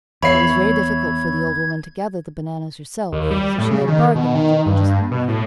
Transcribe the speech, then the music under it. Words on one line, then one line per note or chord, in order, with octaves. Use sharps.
It was very difficult for the old woman to gather the bananas herself, so she made a bargain with the largest monkey.
E2 C#5 E5 B5 G#6 C7
D#2
G3
A2
C#3
D#3
B2
D#3
G2
B2
A2